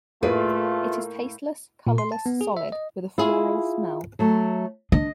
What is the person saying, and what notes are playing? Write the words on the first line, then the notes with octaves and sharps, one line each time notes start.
It is tasteless, colourless solid with a floral smell.
A2 A3 A#3 F4 G#4 B4 D5
A#2
C6
A5
B3
G#4
E5
D#5
E4 F4 G#4
F#3 A3
D4 D#5